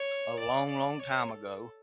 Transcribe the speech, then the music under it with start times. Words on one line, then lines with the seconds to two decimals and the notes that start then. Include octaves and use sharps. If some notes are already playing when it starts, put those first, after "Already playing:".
a long, long time ago,
Already playing: C#5
0.38 D5
0.69 D5
1.00 C#5
1.29 A4